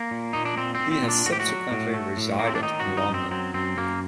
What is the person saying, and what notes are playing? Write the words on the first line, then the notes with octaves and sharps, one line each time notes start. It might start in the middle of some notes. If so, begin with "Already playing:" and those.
He has subsequently resided in London.
Already playing: A#3
A#2
A#2 D#4
D4
A#2 C4
C4
A#2
C4
A#2
D4
A2 F#4
G4
F#4
F#3
A2
A3
A2
A2 A#3
C4
D4
D#3 D#4
F#4
F#2
D#4
F#2
C4
F#3 C4
F#2 C4
F#2 A#3